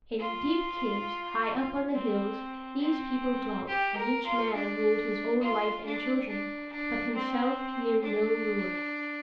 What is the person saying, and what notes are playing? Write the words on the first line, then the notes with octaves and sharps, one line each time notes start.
In deep caves, high up on the hills, these people dwelt, and each man ruled his own wife and children, but himself knew no ruler.
F4
C4
C4
G4
A#4
F4
D4
F4
D4
D4
D4
C4
D4